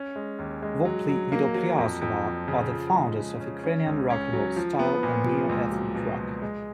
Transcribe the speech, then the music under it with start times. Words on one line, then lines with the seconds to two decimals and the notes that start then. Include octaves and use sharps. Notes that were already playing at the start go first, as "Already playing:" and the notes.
Vopli Vidopliasova are the founders of Ukrainian rock-n-roll style and neo-ethnic rock.
Already playing: C#4
0.16 G#3
0.39 D#2
0.62 G#3
0.85 F#3
1.08 F#3
1.32 A#3
1.55 F#3
1.78 F2
2.01 F2
2.24 F3
2.48 C#3
2.71 F3
2.94 G#3
3.17 G#3
3.40 C#4
3.64 C#4
3.86 C#2
4.10 C#4
4.33 F#3
4.56 F3
4.79 B3
5.03 A#2
5.26 F3
5.49 C#2
5.72 F#3
5.95 B2
6.19 C#2
6.42 G#3